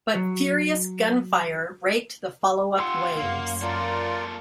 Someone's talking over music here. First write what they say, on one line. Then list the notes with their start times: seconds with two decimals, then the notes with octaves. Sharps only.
But furious gunfire raked the follow-up waves.
0.15 F#3
2.79 F4 G4 F#5 C6 E6
3.16 F#2 A#3 F5
3.62 A#3 F4 A4 A#4 D5